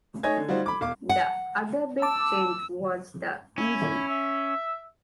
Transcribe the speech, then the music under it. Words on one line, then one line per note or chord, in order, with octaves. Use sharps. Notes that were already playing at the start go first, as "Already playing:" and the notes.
The other big change was the engine.
A3 D#4 C#5 D#5 G#5 G#6
D3
G3 D#4 F4 F#4 C5
B5 D6
E1 F5 D6
F#5
A5 D6 E6
C#4 E4
E5